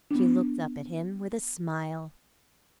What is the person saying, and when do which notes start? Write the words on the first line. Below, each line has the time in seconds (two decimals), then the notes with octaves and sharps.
She looked up at him with a smile.
0.11 B3 D4